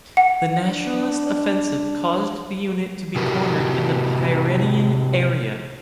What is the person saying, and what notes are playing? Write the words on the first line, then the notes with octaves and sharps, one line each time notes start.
The nationalist offensive caused the unit to be cornered in the Pyrenean area.
F#5
D4
C3 E4 F#4 G4 A#4 B4